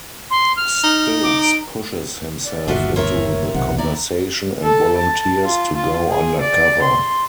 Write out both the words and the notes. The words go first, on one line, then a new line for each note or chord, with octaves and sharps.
Stokes pushes himself into the conversation and volunteers to go undercover.
C6
F6
D#4
D6
D7
D5
G1 D#2 B2 D4 F4 F#4 E5
F4 A#4 C#5 E5
B1 C3 D#3 F#5
D#2 E4 D5 A#5
A4
A5
F4
F4
G#4
D5
C6